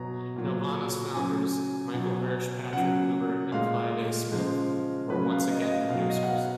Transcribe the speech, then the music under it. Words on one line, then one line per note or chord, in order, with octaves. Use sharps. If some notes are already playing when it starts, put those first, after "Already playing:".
Nelvana's founders-Michael Hirsh, Patrick Loubert and Clive A. Smith-were once again producers.
Already playing: B2 F#3 A#5
A#2 F#3
C#3 F#3 G#5
B2 F#3
C#3 F#3 F#5
A#2 G#3 F5
C#3 F3 G#3
F#3 B4
C#3
F5
D#5
D#5
F5
B2 F#3 F5
F5
D#5
F#5
F5